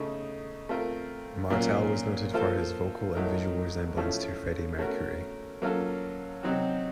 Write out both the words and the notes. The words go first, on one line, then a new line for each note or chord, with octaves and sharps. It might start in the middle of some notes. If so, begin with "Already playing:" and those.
Martel was noted for his vocal and visual resemblance to Freddie Mercury.
Already playing: C#3 A3 D#4
A3 C4 F4 A#4
A#2 F#3 A#3 C#4 F4
F3 A#3 F4 A4 C5
A2 F#3 A3 D#4 A#4
A2 F3 A3 C#4 F4
A3 C#4 F#4 A#4
F#3 A#3 C#4 F4 A4
C3 F#3 C4 D#4 F#4